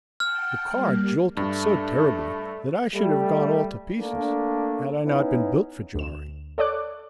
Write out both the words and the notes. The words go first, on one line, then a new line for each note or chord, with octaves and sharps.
The car jolted so terribly that I should have gone all to pieces had I not been built for jarring.
F#5 G5 A5 F6
G3 A#3
G2 A3 D4
G3 A3
A3 A#3 D4
B3 C#4 D#4 E4
D2 E7
A4 C#5 D5 D6 F#6